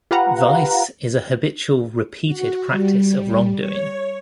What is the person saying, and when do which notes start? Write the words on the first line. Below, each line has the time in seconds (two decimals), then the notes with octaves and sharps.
Vice is a habitual, repeated practice of wrongdoing.
0.11 F4 G4 B4 F5 F#5 A#5
2.26 F#4
2.70 G3
3.59 C#5